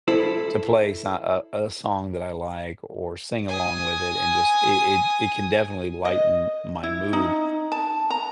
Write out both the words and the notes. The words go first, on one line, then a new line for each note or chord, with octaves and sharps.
to play so uh, uh, a song that I like or sing along with it and just it it it can definitely lighten m my mood,
E4 A4 C5
G#5 D#6
D#5
E4
D#4
A5
A#5